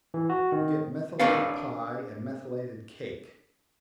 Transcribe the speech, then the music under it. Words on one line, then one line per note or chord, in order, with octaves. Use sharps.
You get methylated pie and methylated cake.
E3
F#4
D#3
D4 A#4 B4 C#5 D5 F5